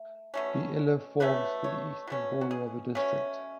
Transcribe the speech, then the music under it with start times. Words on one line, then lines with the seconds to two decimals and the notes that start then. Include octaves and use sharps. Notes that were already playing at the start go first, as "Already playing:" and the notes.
The Iller forms the eastern border of the district.
Already playing: A3
0.34 B2 A3 C#4
1.20 B2 A3 C#4 B4
1.64 C#5
2.07 B2 A3 C#4
2.41 F#4
2.51 G#4
2.95 B2 A3 C#4